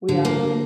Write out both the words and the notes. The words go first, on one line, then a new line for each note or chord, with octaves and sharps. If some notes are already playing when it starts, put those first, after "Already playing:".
We all need it.
D3
A#3